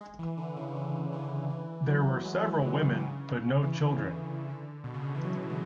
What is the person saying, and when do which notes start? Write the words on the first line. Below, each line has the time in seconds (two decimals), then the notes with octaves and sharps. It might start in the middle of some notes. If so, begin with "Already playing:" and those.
There were several women, but no children.
0.01 G#3
0.19 E3
0.37 D3
0.56 C#3
0.75 D3
1.12 E3
1.50 E3
1.87 F#3
2.25 G#3
2.44 E3
2.62 D3
2.81 C#3
3.00 C#3
3.63 E3
3.75 D3
4.50 D3
4.84 B2
4.94 C#3
5.04 D3
5.15 E3
5.24 F#3
5.50 G#3